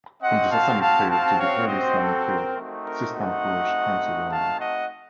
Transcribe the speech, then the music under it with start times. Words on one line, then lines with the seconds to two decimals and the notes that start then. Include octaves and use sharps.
From the Sassanid period till the early Islamic period, Sistan flourished considerably.
0.21 C4 F#4 D#5 F#5
0.51 F5 A5
0.80 F5 A5
1.10 F5 A5
1.39 C#5 F5
1.67 C5 D#5
1.97 A4
2.26 A#4
2.56 A3 C4 D#4 F#4
2.85 A#4
3.14 D#5 F#5
4.31 F5 A5
4.60 D#5 F#5